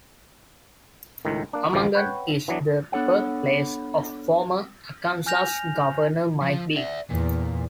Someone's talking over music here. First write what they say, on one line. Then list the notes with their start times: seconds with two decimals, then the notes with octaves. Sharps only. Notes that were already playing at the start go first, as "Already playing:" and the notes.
Amagon is the birthplace of former Arkansas Governor Mike Beebe.
1.25 C#2 A2 D#3
1.53 A#3 D4
1.73 A1 D2 F3
1.95 B4 C#5 F#5 G5
2.48 E3 F#3 B3 D4
2.92 B3 D4 A4 C#5 F#5
5.26 G#5 F6 G6 A#6 F7
6.42 F3 F4
6.76 D5 E5
7.10 E2 A#2